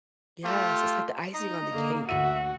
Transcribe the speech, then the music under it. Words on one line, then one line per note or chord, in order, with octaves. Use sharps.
Yes, it's like the icing on the cake
A3 F4 G4 F5
D#4 D#5 A#5
D3 A#3
D2 F#4 E5 D#7